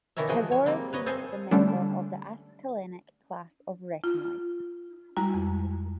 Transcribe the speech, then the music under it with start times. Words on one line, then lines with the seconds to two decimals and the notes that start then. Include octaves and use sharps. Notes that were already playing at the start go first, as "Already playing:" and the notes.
Tazarotene is a member of the acetylenic class of retinoids.
0.17 B2 D#3 E3 A#4 C#5 E5
0.29 F3 F#4 G#4 G5
0.52 C#5
0.66 G3 A#3 C4
0.93 B4 C#5 D#5
1.06 C4 A4 C5 D#5 F5 G#5
1.51 D3 G3 A3 C#4 D4
4.04 F4
5.17 G3 G#3 E4 F#4 A#5
5.34 F2